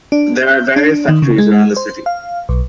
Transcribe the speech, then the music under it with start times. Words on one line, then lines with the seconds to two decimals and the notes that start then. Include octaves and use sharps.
There are various factories around the city.
0.12 D4
0.43 G6
0.76 D4
1.08 D#3
1.22 C#3
1.38 G#3
1.77 C5
2.06 F5
2.49 B1